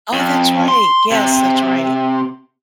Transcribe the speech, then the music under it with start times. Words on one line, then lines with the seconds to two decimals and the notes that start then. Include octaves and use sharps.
Oh, that's right, yes, that's right.
0.13 F2
0.68 C6
1.11 C3